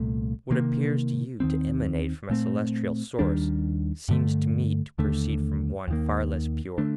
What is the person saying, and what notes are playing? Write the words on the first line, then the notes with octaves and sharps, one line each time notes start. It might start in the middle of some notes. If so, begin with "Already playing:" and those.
What appears to you to emanate from a celestial source, seems to me to proceed from one far less pure.
Already playing: C2 A#2 A3
C3 D#3 A#3
D#2 D#3 G3 C4
A#2 A3 C4
D#2 D#3 G3 D4
G2 D3 A3
D#2 D3 A3
D#2 D#3 A#3
D3 A3 D4